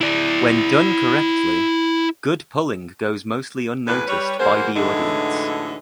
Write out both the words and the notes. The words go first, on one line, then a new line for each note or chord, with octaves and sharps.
When done correctly, good pulling goes mostly unnoticed by the audience.
E4 D5
E2 A2 C#3 B4
G3 B4 C#5
E3 G#3 A#3 F#4 C5
A2 D3 E3 F#3 G#3 D#4